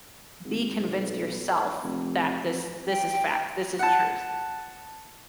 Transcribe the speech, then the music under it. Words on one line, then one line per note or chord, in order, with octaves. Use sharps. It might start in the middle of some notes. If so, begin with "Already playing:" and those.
be convinced yourself that this this is fact, this is truth,
G#1
B1
F1
F2
G5
F#5 A5